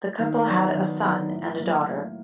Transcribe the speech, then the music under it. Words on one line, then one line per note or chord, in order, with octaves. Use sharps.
The couple had a son and a daughter.
D#3
F#3 B3 D4
D#3
F#3 B3 D4
A2
F#3 A#3
A2